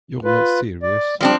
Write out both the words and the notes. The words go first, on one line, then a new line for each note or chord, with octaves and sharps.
You're not serious.
F4 B4
D5
F3 G3 C4 D4